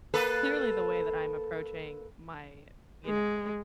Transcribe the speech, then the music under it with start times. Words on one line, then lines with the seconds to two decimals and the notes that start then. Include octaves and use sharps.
"Clearly the way that I'm approaching my" you know,
0.14 A#3 A4 B4
3.06 G#3